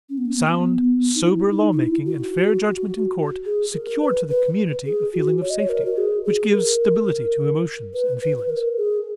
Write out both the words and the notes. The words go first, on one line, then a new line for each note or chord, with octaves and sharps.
Sound sober lawmaking and fair judgment in court secure to the community a feeling of safety which gives stability to emotions and feelings.
C#4
B3
A#3
B3
D#4
E4
D#4
D#4
E4
F#4
G#4
A#4
B4
B4
G#4
F#4
C#5
D#5
C#5
A#4
F#4
G#4
G#4
A#4
B4
B4
B4
A#4
G#4